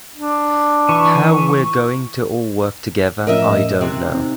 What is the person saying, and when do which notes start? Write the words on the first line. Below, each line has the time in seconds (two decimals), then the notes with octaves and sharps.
How we're going to all work together I don't know.
0.15 D4
0.89 E3 C#6
3.27 A2 F3 C#4 A#4 D#5 E5
3.81 C3 G4 C6 F#6
4.14 C4 D#4